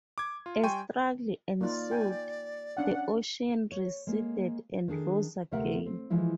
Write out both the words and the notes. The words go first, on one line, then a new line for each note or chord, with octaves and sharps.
A struggle ensued; the ocean receded and rose again.
D6 G#6
F4
G3 G5 G#5 C6 C#6 D#7
A#3 D#4 F4 D5
G5 G#5
C#4 D4 F5 F#5
C#5
G#3 A#3
D#3 D4 G#4
D2 C3 A3 A#4 E5 F#5
C4
E3 F3 G#3 E4